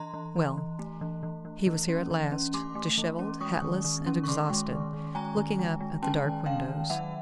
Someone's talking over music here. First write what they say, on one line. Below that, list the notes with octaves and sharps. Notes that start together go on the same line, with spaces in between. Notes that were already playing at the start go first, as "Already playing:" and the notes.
Well, he was here at last, dishevelled, hatless and exhausted, looking up at the dark windows.
Already playing: E3 A#5 C6
E3
E3
E3
A3
E3
E3
E3
E3
C#4
E3
C#4
A3 C6 D6
A3
E3
C#4
G#3 C#6 D#6
D#3
D#3
C#4
C#6
D#3 C6 D6
G#3
D#3
D#3
G#3 G#5 A#5
D#3
G#3
G#3
C#4 G5 A5
D#3
C#4 F5 G5
D#3
F#3 E5 F#5